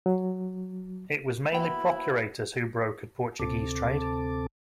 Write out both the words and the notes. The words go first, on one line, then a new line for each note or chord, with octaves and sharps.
It was mainly procurators who brokered Portuguese trade.
F#3
A#3 B3 E4 F#4 F5 G5 B5
D2 C3 C4 A4 A5 D6